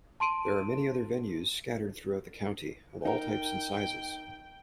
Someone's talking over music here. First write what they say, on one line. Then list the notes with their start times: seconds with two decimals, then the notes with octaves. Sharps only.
There are many other venues scattered throughout the county, of all types and sizes.
0.20 A5 C6 D7 D#7
3.05 D#4 A#4 G5